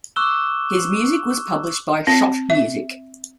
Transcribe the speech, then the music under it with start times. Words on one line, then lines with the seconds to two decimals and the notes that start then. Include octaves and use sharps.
His music was published by Schott Music.
0.16 C#6 D6 E6 F#6 E7 G7
2.07 C4
2.50 E5